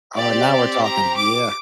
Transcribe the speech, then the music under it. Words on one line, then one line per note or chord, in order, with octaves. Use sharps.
Oh, now we're talking, yeah.
C4 G4 D5
A#5
D6